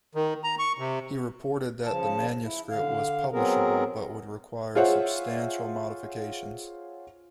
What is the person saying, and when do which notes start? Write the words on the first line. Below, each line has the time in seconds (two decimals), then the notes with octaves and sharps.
He reported that the manuscript was publishable, but would require substantial modifications.
0.15 D#3
0.44 A#5
0.59 C#6
0.78 C3
1.86 C#3 F3 A5
2.42 E4
2.70 D3 F5
3.32 F#3 B3 C4 G#4 A#4
4.75 F4 G#4 C5 C#5 E5 F#5